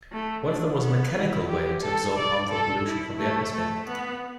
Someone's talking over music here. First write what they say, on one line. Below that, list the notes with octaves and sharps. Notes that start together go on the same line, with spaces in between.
What if there was a mechanical way to absorb harmful pollution from the atmosphere?
A3
D4
B3
E4
G4
A4
D5
A4
E4
A3
A3
B3